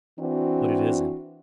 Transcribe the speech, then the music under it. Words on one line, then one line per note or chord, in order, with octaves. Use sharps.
But it isn't.
E3 C4 D4 F#4